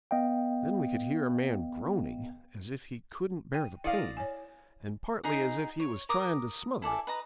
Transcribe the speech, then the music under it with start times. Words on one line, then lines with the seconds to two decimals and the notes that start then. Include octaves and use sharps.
Then we could hear a man groaning, as if he couldn't bear the pain, and partly as if he was trying to smother it.
0.11 B3 D#5 F5 G5
3.54 G5
3.84 E4 D5 D#5 F5
4.17 C#5 G#5
5.24 D#4 G#4 D#5 F#5
5.80 C#5
6.09 A#4 D6 D#6
6.82 E4 A4 D5 G#5
7.07 B4 D#5 A#5